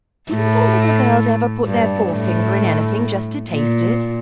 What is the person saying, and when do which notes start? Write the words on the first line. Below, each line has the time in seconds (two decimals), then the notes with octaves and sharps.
"Didn't your little girls ever put their forefinger in anything just to taste it?"
0.29 A2
1.66 G2
2.11 A2
3.49 A#2